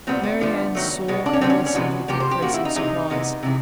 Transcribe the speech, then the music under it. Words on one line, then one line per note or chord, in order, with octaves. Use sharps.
Marianne saw and listened with increasing surprise.
A#2 G3 B3 C4
B3
D3 F3 A3
D#3 F#3 A3
B2 G#3 B3
D4
C#4
D3 G3 B3 C4
C#4
C#4
C3 E3 G#3 B3 F#4
C3 F3 A#3 G4
C5
G4
A#2 F3 A#3 F#4
E4
D#4
C3 E3 G#3 D#4
C3 E3 G#3 B3
C3 E3 G#3